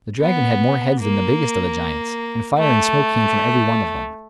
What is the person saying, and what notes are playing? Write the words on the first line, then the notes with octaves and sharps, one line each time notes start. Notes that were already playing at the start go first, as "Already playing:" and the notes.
The dragon had more heads than the biggest of the giants, and fire and smoke came from every one of them.
B3
A#3
A3